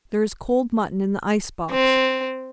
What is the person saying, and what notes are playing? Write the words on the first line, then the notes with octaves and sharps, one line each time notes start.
There is cold mutton in the ice box.
C4